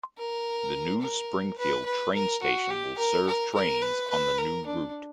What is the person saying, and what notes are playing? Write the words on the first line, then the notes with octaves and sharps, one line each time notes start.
The new Springfield train station will serve trains on the new route.
A#4
A#4
B4
B4
A#4
F#4
G4
A#4
A#4
A#4
B4
B4
A#4
D4